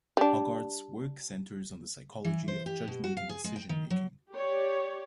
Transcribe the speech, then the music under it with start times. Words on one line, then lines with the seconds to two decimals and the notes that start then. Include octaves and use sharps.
Hogarth’s work centers on the psychology of judgment and decision making.
0.17 G3 D4
2.24 E3
2.48 C5
2.66 G4
2.88 B2
3.04 F#4
3.17 F5
3.29 G#4
3.44 G#3
3.56 G5
3.69 D#3
3.90 F#3
4.32 G4 C#5 D5